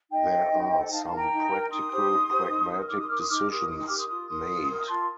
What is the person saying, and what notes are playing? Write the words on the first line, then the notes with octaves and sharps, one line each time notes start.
There are some practical, pragmatic decisions made.
D#4 D#5 G5
A4 C5
D#4
A4 C5
D#4 F5 A5
F5 A5
A#4
G5 A#5
D#4
A#4
D#4 C6 D#6
G4 C5
D#4
G4 C5
D#4
A#4
D#4 D6 F6
C6 D#6
A#4 D6 F6
C6 D#6
D#4 D6 F6
G4 A#4 C6 D#6
D#4 C6 D#6
C6 D#6
G4 A#4 D6 F6
C6 D#6
F4 C6 D#6
A#4 C6 D#6
F4
A#4
F4 A5 C6